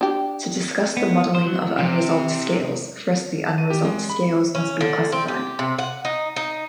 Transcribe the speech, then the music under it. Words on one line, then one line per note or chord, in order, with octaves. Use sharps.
To discuss the modeling of unresolved scales, first the unresolved scales must be classified.
D4 G4
B3
C5
F#3
C3
A5
D#7
G4
G#3
B5
C#4
D3
C4
G4
C3
F#5
D#4
D#4